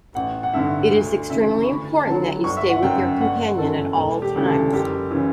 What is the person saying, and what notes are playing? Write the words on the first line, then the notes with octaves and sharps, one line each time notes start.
It is extremely important that you stay with your companion at all times.
A1 F#5
F#5
G2 D3 E5
D2
C#3 E3 E5
C#6
D2 B5
D3 F#3 A5
G1 C#6
E5
F#5
F#2 C#3 G5
G1 F#5
F#2 E3 A4
E1 A4
G4
D2 C#3 E3
A4
F#1 G4
C#3 E3